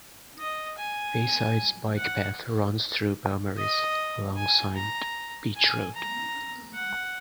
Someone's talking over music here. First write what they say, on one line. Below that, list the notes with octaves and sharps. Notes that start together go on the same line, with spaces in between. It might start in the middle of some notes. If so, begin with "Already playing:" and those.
Bayside's bike path runs through Beaumaris, alongside Beach Road.
D#5
G#5
F#5
D#5
G#5
A#5
G#5
A#5
F#5